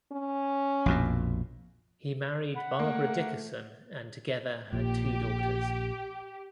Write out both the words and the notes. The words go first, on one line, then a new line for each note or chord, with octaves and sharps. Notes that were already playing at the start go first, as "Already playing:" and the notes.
He married Barbara Dickerson and together had two daughters.
C#4
A#1 F2 B2
F#5 B5
A3 A#3
A#1 A#2 G4